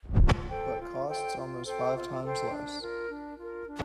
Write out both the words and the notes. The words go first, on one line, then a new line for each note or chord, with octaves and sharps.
But costs almost five times less.
F4
A4 C5 G5
F4
A4 C5 G5
F4
A4 C5 G5
F4
A4 C5 G5
D4
F4 A#4
D4
F4 A#4
D4